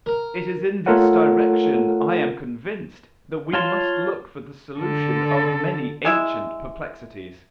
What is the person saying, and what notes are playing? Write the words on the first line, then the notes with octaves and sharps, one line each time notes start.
It is in this direction, I am convinced, that we must look for the solution of many ancient perplexities.
A#4
A3 F4 A4 A#4 C#5 F#5
F4 C#5 F5 A5 C6
D3 A4
G#3 E4 E5